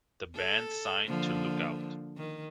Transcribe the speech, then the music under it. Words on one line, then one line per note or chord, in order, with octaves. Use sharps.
The band signed to Lookout!
A4
D3 F3 A#3
D#3